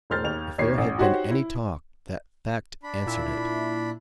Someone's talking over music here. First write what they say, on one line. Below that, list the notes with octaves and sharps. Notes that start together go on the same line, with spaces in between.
If there had been any talk that fact answered it.
E1 A2 C5 F6 G6 A6
D#2 F7
D#2 C#5 C7
A1
D#4 F#4 G4 C5 C#5 F#5
E4
D4 B5
A#2 E4